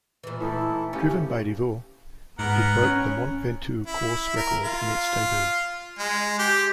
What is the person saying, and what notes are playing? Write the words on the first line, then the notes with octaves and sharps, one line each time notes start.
Driven by Divo, it broke the Mont Ventoux course record in its debut.
A#2 E3
A2 D#4 E4 A4
C#3 C#4 G4
G#2 B3 A#4 F#5
C#4
E4
A#4
F4
G#3
G4